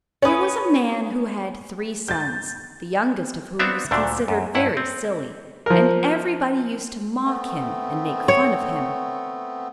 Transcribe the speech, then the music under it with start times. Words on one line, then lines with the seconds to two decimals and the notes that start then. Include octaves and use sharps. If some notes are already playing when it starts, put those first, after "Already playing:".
There was a man who had three sons, the youngest of whom was considered very silly, and everybody used to mock him and make fun of him.
0.22 C#4 B4 C#5 D#6
2.08 G#2 G6 A6
3.59 B3 C4 D4 F#4 E5 F5
3.91 D2 A#2 D3 A3 D4
4.28 F#2
4.55 G2 E4 F#5
4.77 C4
5.66 F3 A#4
7.25 A3 B3 C4
8.28 C#5